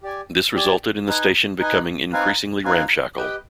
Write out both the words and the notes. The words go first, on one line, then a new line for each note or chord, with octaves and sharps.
This resulted in the station becoming increasingly ramshackle.
G4 D5 G#5
G4 D5 G#5
D#4 B4 D#5 G#5
D#4 B4 D#5 G#5
C4 D#4 B4 F5 G#5
C4 D#4 B4 F5 G#5
G4 B4 D#5 G5